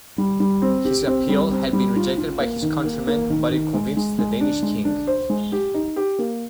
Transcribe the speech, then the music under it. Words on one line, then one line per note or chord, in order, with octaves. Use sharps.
His appeal had been rejected by his countrymen, but it convinced the Danish King.
G3
G3
C4
G4
C4
G3
C4
G3
F4
F4
A#3
D#3
A#3
A#3
D#3
D#3
G#3
G#3
G#3
D4
G#3
D4
C5
G#3
G4
D#4
G4
A#3